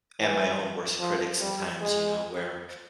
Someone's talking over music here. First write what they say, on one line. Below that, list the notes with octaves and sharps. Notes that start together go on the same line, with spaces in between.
am my own worst critic sometimes, you know, where,
E3
F3
G3
G#3